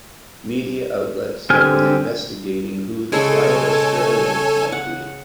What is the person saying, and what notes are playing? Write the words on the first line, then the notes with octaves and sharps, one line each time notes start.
Media outlets have been investigating who the Quiet Australians might be.
D3 C4 G4 G#5 F6
C#3 G#3 A4 C#5 G#5
F#5